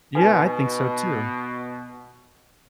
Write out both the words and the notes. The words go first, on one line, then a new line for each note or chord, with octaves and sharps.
Yeah, I think so too.
B2 D#4 B4 G#5